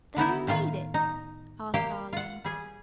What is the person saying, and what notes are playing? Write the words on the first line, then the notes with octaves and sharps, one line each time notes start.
"Then, who made it?" asked Arline.
D3 B3 D#4 E4
A2 D#3 F4
D#4
A#3 G4 F5 G5
F4 F#5
G3 G#4 G#5